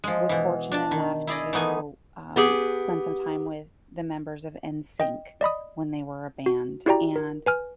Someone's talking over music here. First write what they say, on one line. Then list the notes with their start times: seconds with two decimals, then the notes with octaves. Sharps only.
was fortunate enough to, um, spend some time with the members of NSYNC when they were a band, and
0.04 F3 G#3
0.29 B2 E3
0.72 D4 D5 A5
0.91 D#3
1.27 E4 G#4 D5 D#5
1.53 E3 A3 B3 D#4 G#5
2.36 B3 G4 G#4
5.00 D#5 G5
5.41 D5 D#5 B5 D#6
6.46 F#4
6.86 E4 F#4 G4 D5 G5 A#5
7.16 A#4
7.46 B4 G#5 F6